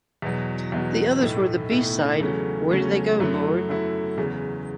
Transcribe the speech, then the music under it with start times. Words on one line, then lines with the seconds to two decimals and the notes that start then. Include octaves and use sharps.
The others were the B-side Where Did They Go, Lord?
0.22 E2 B2 F#3
0.72 E2 B2 F#3
1.21 B1 A2 A3 E4
1.70 B1 A2 A3 E4
2.20 E2 C#3 F#3 A3 C#4
2.69 E2 C#3 F#3 A3 C#4
3.20 F#2 F#3 A3 E4
3.69 F#2 F#3 A3 E4
4.18 E2 C#3 F#3